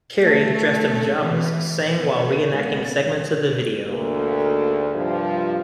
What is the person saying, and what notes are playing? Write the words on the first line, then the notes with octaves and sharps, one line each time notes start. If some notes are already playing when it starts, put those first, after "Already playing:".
Carey, dressed in pajamas, sang while re-enacting segments of the video.
A3
E3
B3
G#3 B3
D2 G#2 A#3
G2 C3 F3